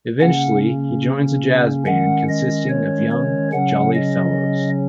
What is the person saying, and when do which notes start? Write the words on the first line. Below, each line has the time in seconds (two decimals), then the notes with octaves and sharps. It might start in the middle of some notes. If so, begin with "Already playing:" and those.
Eventually he joins a jazz band consisting of young "jolly fellows".
0.20 C#3 A#3 C#4 F#5
1.86 D#3 G#3 C#4 F#5
2.28 D#5
2.69 C#5
3.11 C#5
3.52 C#3 F#3 C#4 F#5
3.94 D#5